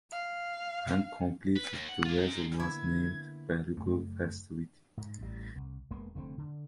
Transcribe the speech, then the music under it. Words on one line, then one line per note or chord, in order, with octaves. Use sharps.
When completed the vessel was named "Beluga Festivity".
F5
B4
D#2
F#5
F4 G#4
G#3 D#4
D3 A#3 B3 E4 G#6
F#1 F#2 A3
G#2
A1 G3
C2
E1 G#3 A#3 B3
F1 D3 A3 C4
D3